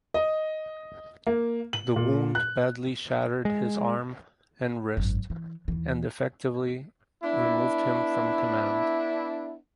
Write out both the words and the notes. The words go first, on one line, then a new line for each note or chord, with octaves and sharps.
The wound badly shattered his arm and wrist and effectively removed him from command.
D#5
A#3
F#7
A#2
F#6
G#3
G#1 F#2
E3
D#2 E3
B3 D4 E4